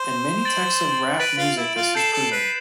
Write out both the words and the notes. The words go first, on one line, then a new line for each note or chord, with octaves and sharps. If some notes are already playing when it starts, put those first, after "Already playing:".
In many texts of rap music this is proven.
Already playing: C5
A6 D7 F#7
B4 A6 D7 F#7
F4
E4
F4
A4 G6 C7 E7
A4
B4